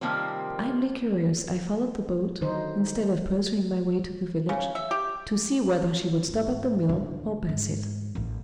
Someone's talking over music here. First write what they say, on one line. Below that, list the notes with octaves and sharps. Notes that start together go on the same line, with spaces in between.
Idly curious I followed the boat, instead of pursuing my way to the village, to see whether she would stop at the mill, or pass it.
C3 D#3 F3 G3 A#3 C4
D3 D#3 F#3 D#4 C5
C#3
E5
G4
G#2
A2 D3
G#2
A1 D#2